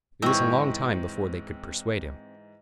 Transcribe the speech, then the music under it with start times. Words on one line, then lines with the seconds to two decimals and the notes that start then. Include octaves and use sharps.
It was a long time before they could persuade him.
0.22 G#2 E3 C4 C#5